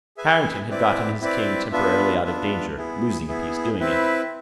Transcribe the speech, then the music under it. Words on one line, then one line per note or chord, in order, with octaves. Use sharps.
Harrington had gotten his king temporarily out of danger, losing a piece doing it.
G#4 B4 E5 G#5
C4 E4 B4 D5
C4 E4 B4 D5
B3 D4 F4 B4 E5
B3 D4 F4 B4 E5
B3 E4 G#4
B3 E4 G#4
C4 E4 B4